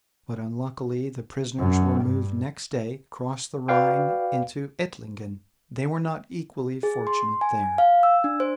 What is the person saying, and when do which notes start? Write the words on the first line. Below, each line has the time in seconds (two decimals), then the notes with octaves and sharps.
But, unluckily, the prisoners were moved next day across the Rhine into Ettlingen. They were not equally fortunate there.
1.59 F#2
2.01 G2
3.68 F#4 B4 D5 F5 G5
6.83 G#4
7.07 C6
7.41 G#5
7.78 F5
8.03 E6
8.24 D4
8.40 C5